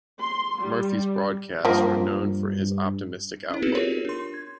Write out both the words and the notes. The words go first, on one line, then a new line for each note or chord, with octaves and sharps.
Murphy's broadcasts were known for his optimistic outlook.
C6
G3
G2 F3 A#3
C#4 E4
B3 C4 D#4 F#4 G#4 B4
F4 G4 A#4 C#5
D4 C6
G#6